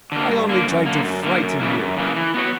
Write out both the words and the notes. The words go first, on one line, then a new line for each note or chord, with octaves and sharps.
I only tried to frighten you.
D3 A#3
G2
D3 A#3
F#2
D3 A#3
F#2
D3 A#3
F#2
C#3 E3 A#3
F#2
C#3 E3 A#3
E3
B3 F#4 C#5